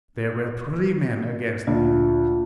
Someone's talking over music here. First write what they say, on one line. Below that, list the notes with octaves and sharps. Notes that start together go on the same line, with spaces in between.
There were three men against me.
D2 A#2 F4 A5